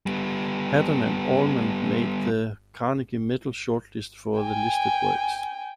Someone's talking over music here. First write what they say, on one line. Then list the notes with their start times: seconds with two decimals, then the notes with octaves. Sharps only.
Haddon and Almond made the Carnegie Medal shortlist for the listed works.
0.06 G3 B3
4.40 G5 G#5